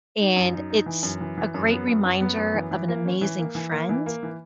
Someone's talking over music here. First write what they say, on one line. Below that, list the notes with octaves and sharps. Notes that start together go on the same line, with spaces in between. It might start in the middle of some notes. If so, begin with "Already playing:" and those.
And it's a great reminder of an amazing friend,
D#4
F#2
D#4
D#4
E3
F#2
E3
E3
F#2
B3
F#2
F#2
B3
F#2
E3
E3
A#3
C#4
E3
A#3
E3
A#3
E3
A#3
E3